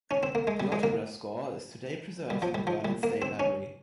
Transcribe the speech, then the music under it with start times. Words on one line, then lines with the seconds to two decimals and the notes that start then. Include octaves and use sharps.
The autograph score is today preserved in the Berlin State Library.
0.11 C#4
0.23 C4
0.35 A#3
0.47 G#3
0.60 G3
0.72 G#3
0.83 A#3
2.30 G3
2.42 F3
2.55 G3
2.67 F3
2.85 G3
3.03 A#3
3.22 C4
3.40 C#4